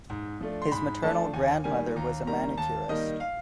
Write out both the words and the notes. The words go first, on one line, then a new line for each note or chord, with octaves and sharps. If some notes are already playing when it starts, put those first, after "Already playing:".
His maternal grandmother was a manicurist.
G#2
F3 A3 D4
C6
G#2 B5
F3 A3 D4 A5
D#2 G#5
D#3 G3 A#3 G#5
D#2 A#5
D#3 G3 A#3 A#5
D#2 A5
D#3 G3 A#3 D#5
F5